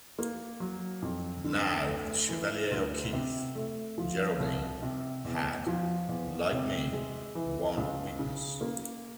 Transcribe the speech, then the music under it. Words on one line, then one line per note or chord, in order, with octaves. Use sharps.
Now the Chevalier O'Keefe, Geraldine, had, like me, one weakness.
A#3
F#3
F2
D3
A3
E3
D2
C3
A3
F3
C2
C3
E2
F3
E2
C3
G#3
E3
C#2
C#3
A#3